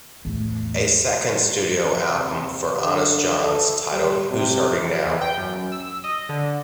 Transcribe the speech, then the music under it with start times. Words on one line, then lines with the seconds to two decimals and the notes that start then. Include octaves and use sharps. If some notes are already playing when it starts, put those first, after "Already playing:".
A second studio album for Honest Jon's, titled Who's Hurting Now?
0.25 E2 A2
2.09 C3
2.83 D3
3.42 A4
3.92 G3
4.30 C3
5.06 E2
5.21 G5
5.37 F#2
5.72 E6
6.04 D#5
6.29 D3